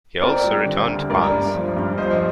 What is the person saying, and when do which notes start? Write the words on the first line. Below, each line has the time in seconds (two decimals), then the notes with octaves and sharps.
He also returned punts.
0.21 C4 A#4 D5
0.44 G3
0.66 D3
0.88 D2
1.10 G2 A#4 D5
1.32 G2
1.54 F3
1.77 G2
1.98 F3 C5 D#5